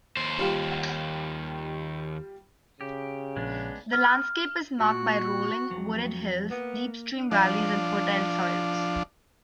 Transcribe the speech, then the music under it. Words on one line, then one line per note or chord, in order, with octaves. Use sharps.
The landscape is marked by rolling, wooded hills, deep stream valleys, and fertile soils.
D#2 C5
G3 F4 G4
C#3 G4
A#1 G#3 B3 D4
F6
A#2 F#4
F2 F#3
A#3 B3
F3 D4